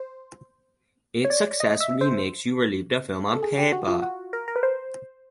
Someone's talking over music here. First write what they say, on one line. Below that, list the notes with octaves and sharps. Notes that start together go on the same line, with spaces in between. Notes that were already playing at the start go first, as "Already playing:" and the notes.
It successfully makes you relive the film on paper.
Already playing: C5
C#5
D5
D#5
E5
C5
A4
G#4
G4
F#4
F4
F#4
A#4
A#4
B4
C5